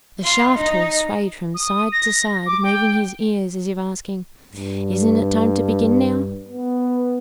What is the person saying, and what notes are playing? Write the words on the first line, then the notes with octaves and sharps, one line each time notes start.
The shaft horse swayed from side to side, moving his ears as if asking: "Isn't it time to begin now?"
F4
D#4
D#6
A#6
D6
G5
G2
B3